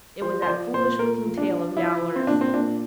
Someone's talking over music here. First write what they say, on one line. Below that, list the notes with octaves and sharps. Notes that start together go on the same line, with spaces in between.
It was that foolish looking tail of Yowler's.
F3 C5
C5
F3 D5
A#2 C5
A#2 A#4
F3
D4
F3
F3 E4
F3
C4
A#2 D4
C4
A#2 D4